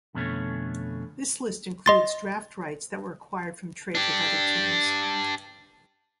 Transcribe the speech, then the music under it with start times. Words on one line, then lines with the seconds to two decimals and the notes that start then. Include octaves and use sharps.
This list includes draft rights that were acquired from trades with other teams.
0.15 F2 B2 D3 A3 C#4
1.86 D#5 C6 A6
3.95 D4 G4